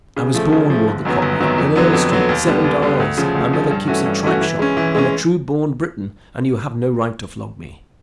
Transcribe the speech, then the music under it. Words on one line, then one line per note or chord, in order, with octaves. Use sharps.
"I was born," roared the cockney, "in Earl Street, Seven Dials--my mother keeps a tripe-shop--I am a true born Briton, and you have no right to flog me."
C#3
F3 A3
C#3
F3 A3
G1
F#2 D#3 F#3 B3
G1
F#2 D#3 F#3 B3
F2
D3 F#3 B3
F2
D3 F#3 B3
D#2
D3 G3 B3
D#2
D3 G3 B3
D2
C#3 F3
D2
C#3 F3
G2
E3 A3 C#4 F#4
G2
E3 A3 C#4 F#4
E3
G#3 C#4
E3
G#3 C#4